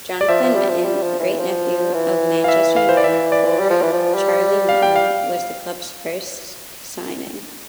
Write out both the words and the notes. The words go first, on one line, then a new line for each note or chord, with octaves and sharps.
Jonathan Mitten, great-nephew of Manchester United forward Charlie Mitten, was the club's first signing.
D5
F3 E5
F3
G3
F3
G3
F3
E3
F3
E3
F5
E5
F5
C5
D5
E5
D5
G3
F3
E3
F3
G3
F5
G5
F5